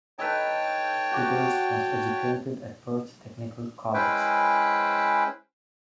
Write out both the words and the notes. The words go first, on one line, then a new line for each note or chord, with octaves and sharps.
Withers was educated at Perth Technical College.
D#4 A4 B4 C#5 G5 A5
F#4 D6
G#3 C#4 E4 B4 C5 G5